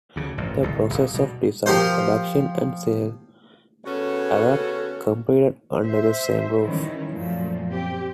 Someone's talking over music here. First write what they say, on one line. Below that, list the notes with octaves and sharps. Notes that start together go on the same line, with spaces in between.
The process of design, production and sale arec completed under the same roof.
D2 C#3
A1 G2 A#2
D1 C2 A#2
B1
B2 G3
F3 G4 A#4 C5
C#3 B3 C#4 F#4 A4
C5 E5
D#3 E3 G3 C#4 E4
F#2 A#2 F3 A3
C4 G4